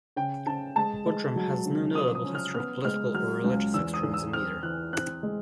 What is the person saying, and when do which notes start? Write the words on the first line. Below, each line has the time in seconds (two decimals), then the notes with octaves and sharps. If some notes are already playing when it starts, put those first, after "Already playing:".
Bodrum has no notable history of political or religious extremism either.
0.16 C#3 G5
0.46 C#3 A5
0.76 G#3 A5
1.06 G#3
1.36 F#3
1.66 C#3
1.95 F3 D#6
2.15 D#6
2.25 C#4
2.35 F6
2.54 B3 F6
2.85 G#3 F6
3.14 F#3 F6
3.44 C#2
3.74 E2 E6
3.94 D#6
4.03 E2
4.14 E6
4.33 C4 F6
4.63 E3 F#6
4.93 C4 F#6
5.23 G#3